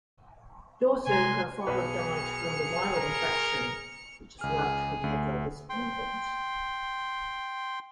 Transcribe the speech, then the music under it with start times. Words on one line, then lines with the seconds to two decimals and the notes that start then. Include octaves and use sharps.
Also, her father died from a viral infection, which has left her mother despondent.
1.07 C3 G#3 G#5 A#5 C6
1.67 B1 G#4 B4 C#7 F7
2.97 A#4
4.41 C#2 G#4 F6
5.04 D2
5.69 G5 C6